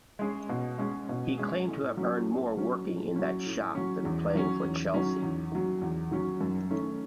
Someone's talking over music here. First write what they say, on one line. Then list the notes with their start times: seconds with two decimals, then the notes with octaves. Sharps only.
He claimed to have earned more working in that shop than playing for Chelsea.
0.19 G#3 C#4 G#4
0.49 B2
0.78 G#3 C#4 G#4
1.09 B2
1.38 G#3 C#4 G#4
1.67 A2
1.97 F#3 C#4
2.27 A2
2.57 F#3 C#4
2.87 A2
3.16 F#3 C#4
3.46 A2
3.75 F#3 C#4
4.05 E2
4.34 D#3 F#3 C#4
4.63 E2
4.94 D#3 F#3 C#4
5.22 E2
5.52 D#3 F#3 C#4
5.81 E2
6.11 D#3 F#3 C#4
6.41 F#2
6.70 D#3 A3 C#4